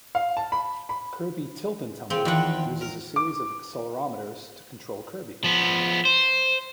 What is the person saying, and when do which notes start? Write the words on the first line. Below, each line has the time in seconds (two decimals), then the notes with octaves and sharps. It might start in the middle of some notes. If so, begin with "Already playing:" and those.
"Kirby Tilt 'n' Tumble" uses a series of accelerometers to control Kirby.
0.15 F5
0.37 A5
0.52 B5
0.89 B5
2.10 C#3 C4
2.25 E2 D#3 F3 C4 F#5
2.81 A#4
3.16 D6
5.44 F3 B3
6.05 C5